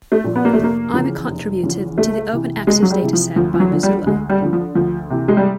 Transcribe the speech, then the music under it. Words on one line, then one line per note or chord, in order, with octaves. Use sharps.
I am a contributor to the open access dataset by Mozilla.
A3
A#2 F3
B3
A#3
A3
F1
A#3
E2 C#3 F3
F1
E2 C#3 F3
C#2 A3
C3 E3
C#2 G#3
F#3
G3
C3 E3
F3
D2 F3
F3
F#3
D3 F3
G3
D2 G#3
G3
D3 F3
F3
D2 F3
C3 E3
G#3
G3